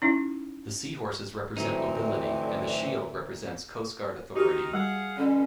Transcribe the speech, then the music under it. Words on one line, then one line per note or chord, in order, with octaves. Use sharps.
The seahorses represent mobility and the shield represents Coast Guard authority.
C#4 D#4 E4
F2 A2 D3 E3 F#3 C4 D#4
D#3 D#4 F#4 G4
G3 G#4 F5 F#5
B2 D3 C#4